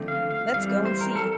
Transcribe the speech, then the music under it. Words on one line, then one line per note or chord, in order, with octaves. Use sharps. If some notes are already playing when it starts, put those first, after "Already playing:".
Let's go and see.
Already playing: D3 F3 A3 C4
F5
F5
E3 G3 C4 F5
C5
A#4
A4